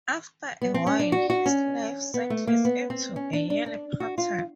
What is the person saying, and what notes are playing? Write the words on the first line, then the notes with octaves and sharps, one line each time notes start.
After a while, his life settles into a yearly pattern.
B3
C4
C#4
D4
F#4
F#4
C#4
B3
A3
A#3
B3
C4
C#4
D4
D4
D4
F#4
F4